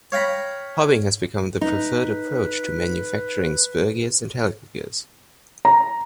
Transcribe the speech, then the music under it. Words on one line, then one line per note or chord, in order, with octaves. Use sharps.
Hobbing has become the preferred approach to manufacturing spur gears and helical gears.
C#5 F5 G5 A#5 B5
D#4 B4
A#5